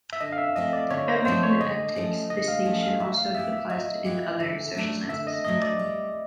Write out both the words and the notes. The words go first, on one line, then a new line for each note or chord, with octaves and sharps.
The emic and etic distinction also applies in other social sciences.
E5
D3 D#5
F5
E5
F3 A3 C4 D#5
D5
D3 C#5
C5
F3 A3 C4 C5
C#5
D3 D#5
F3 A3 C#4
D3 D#5
F5
F3 A3 C#4
F5
F#3 E5
F5
B3 E4 G4 E5
E5
F#3 D#5
B3 E4 G4
D3 E5
F#3 A3 D4
D3 E5
D#5
F#3 A3 D4 D#5
D5
G3